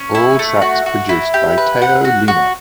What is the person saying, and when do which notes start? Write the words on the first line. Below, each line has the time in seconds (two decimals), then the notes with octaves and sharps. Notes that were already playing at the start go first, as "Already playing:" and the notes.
All tracks produced by Teo Lima.
Already playing: C#4
0.15 E4
0.39 A3
0.62 F#4
0.86 F#4
1.09 E4
1.34 G4
1.58 B4
1.82 F#5
2.05 F#4
2.28 F#4